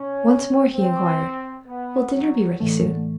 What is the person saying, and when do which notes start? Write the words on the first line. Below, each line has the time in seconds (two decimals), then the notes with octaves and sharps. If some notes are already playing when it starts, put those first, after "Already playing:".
Once more he inquired, "Will dinner be ready soon?"
Already playing: B2 C#4
0.73 C4
1.66 B3
2.13 F#3
2.60 A2 D3 E3 A3